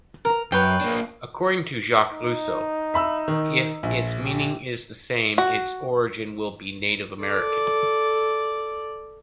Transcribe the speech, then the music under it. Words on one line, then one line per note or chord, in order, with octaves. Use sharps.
According to Jacques Rousseau,if its meaning is the same,its origin will be Native American.
A#4
F#2 B4 C#5 G5
A#3 D4
D#4
E5 B5 E6
D#3
A#1
G4
F#4
A4 D5